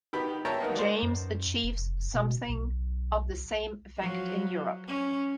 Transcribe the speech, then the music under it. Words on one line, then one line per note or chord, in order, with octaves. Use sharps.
James achieves something of the same effect in "Europe".
D#3 B3 G4 B5
A#4 C#5 E5 G5 A5 A#5
A#3 B3 D#4 F#4 A#4
C5 D5
F#2
F1
B2
B1
F3 F#3
C#4